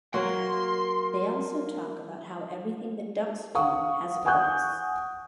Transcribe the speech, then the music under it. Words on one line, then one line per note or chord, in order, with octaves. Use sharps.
They also talk about how everything the ducks do has a purpose.
F#3 A#3 F#4 C6
F5 F#5 C#6 D#6
F#5 G#5 C#6 D#6 F#6 G6